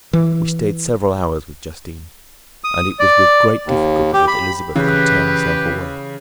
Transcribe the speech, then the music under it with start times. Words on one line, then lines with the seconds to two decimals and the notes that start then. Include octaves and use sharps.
We stayed several hours with Justine, and it was with great difficulty that Elizabeth could tear herself away.
0.13 E3
2.64 D#6
2.99 D5
3.66 D#2
4.14 G4
4.28 B5
4.76 C#3 E3 G4 B4